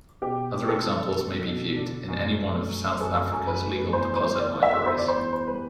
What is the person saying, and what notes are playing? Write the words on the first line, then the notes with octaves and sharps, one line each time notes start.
Other examples may be viewed in any one of South Africa's legal deposit libraries.
B2 G4
D4
A4
G3
F#4
B2
D4
F#2
A3
F#3
F#2 A4
F#2
B4
A3
E2 C5
C5
G3
D5
D3
E5
E2 C5
D5
C5
E2
C5
G3 B4